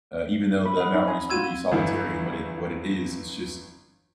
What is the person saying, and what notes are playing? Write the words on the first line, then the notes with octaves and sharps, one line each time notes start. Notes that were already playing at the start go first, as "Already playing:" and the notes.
uh, even though the mountain is pretty solitary in what it what it is, it's just
B5 C#6
D#5 F#5 B5
D#4
G#5 C6
F4 F#4 C6 E6 G#6 D#7
G1 E3 E4